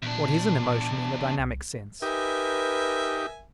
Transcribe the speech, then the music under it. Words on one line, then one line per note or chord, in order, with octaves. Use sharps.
What is an emotion in the dynamic sense?
E2 A#2 D4
C2
D#4 G4 A#4 B4 E5 G#5